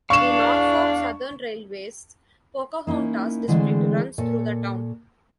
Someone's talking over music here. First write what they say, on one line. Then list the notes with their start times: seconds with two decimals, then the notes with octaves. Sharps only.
The Norfolk Southern Railway's Pocahontas District runs through the town.
0.10 E2 D4 F5 C#6 E7
2.87 A#3 C#4 D#4 E4
3.48 D3 E3 G#3 A3 C4
4.18 A#2 A4 C#5